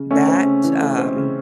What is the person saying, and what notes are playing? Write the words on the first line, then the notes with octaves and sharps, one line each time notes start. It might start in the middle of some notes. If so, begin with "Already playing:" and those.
that, um,
Already playing: C#3
A3 C#4
C4
C#3
E3
A3
C4
C#3